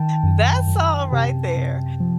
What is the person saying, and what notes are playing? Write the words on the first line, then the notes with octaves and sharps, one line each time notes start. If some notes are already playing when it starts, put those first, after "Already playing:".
That song right there
Already playing: D#3 G5 A5
F#2
F#2
C3
C3
F3